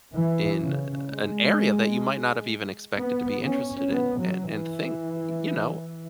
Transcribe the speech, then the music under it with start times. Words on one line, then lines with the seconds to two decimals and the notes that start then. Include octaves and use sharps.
in an area that you might not have even expected to be interested in and and think, you know,
0.14 E3
0.61 C#3
1.09 G#3
2.96 B3
3.44 C#4
3.90 B3
4.21 F#3
4.53 E3